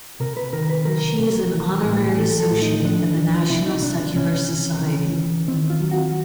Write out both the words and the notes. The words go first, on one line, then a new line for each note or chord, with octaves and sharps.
She is an Honorary Associate of the National Secular Society.
C3 A#4
B4
D#3 A#4
B4
F#3 A#4
C3
E3
A2
E3 A4
A4
A2
D#4
F3 D4
F3
C3 E4
D#4
C3 D4
D4
C3 C#4
E3
E3
E3
D#3 C4
F4
F#3
F#4